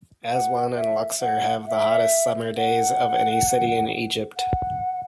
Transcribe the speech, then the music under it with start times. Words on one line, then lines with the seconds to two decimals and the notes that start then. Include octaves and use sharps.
Aswan and Luxor have the hottest summer days of any city in Egypt.
0.32 F#5
0.77 E5
1.22 F#5
1.68 E5
2.57 F#5
4.37 F#5